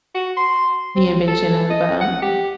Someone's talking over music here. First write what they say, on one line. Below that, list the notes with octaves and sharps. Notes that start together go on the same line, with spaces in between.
the invention of, um,
F#4
C6
C4
A4
D#5
F#5
G4